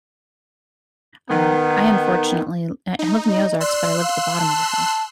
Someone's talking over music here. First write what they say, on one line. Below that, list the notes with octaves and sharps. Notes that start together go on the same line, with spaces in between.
Uh, I unfortunately l I live in the Ozarks, but I live at the bottom of a hill.
D#3 B3
D#4
D#5
D5 C6 E6 F#6
F5
A5
A5